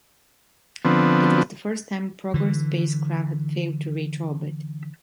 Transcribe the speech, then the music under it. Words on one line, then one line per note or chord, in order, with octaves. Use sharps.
It was the first time a Progress spacecraft had failed to reach orbit.
D3 F3 B3 C4
D3 E3